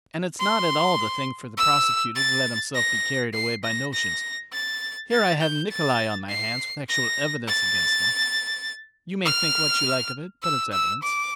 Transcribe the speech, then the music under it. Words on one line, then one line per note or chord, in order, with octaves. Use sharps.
And it's not at all the thing for the prosecutor to let himself be carried away by notions: here I have Nikolay on my hands with actual evidence against him--you may think what you like of it, but it's evidence.
C6
E6
A6
A#6
C7
A#6
A#6
A6
A6
G6
A6
C7
A#6
A6
F6
E6
E6
D6